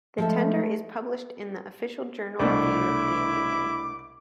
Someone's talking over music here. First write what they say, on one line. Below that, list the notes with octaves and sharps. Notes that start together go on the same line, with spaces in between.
The tender is published in the "Official Journal of the European Union".
F3 G#3 A3 A4 E5
C2 B2 A3 D4 E4 D6